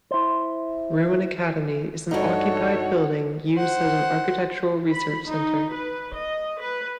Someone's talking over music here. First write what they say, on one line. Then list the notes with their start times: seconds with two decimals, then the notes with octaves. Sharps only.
Ruin Academy is an occupied building used as an architectural research centre.
0.11 E4 C5
2.11 G2 D#4 F#4 A4 C#5 F#5
3.54 C5 F#5
4.90 B5
5.27 D#4
5.71 B4
6.15 D#5
6.59 B4